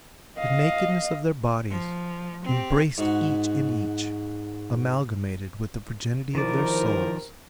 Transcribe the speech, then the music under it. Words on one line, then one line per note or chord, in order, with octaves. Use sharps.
The nakedness of their bodies, embraced each in each, amalgamated with the virginity of their souls.
D#5 F5
F3
C4 G4
G#2 F#4
D#2 D#3 F3 C4 E4 A#4 C5 D5